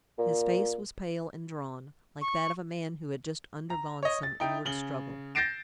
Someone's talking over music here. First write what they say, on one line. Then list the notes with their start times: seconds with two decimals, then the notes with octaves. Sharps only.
His face was pale and drawn, like that of a man who had just undergone some inward struggle.
0.19 A#2
2.21 C#6
3.70 A#5
4.03 C#5 D#5
4.23 A6
4.40 D#4 E4 G5
4.65 C#3 F#7 G7
5.35 G6 A6 A#6 C7 D7 E7